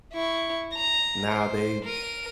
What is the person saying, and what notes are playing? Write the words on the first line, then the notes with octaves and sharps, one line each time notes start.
now they've
E4 C#6
A#5
C5
A#4 D#7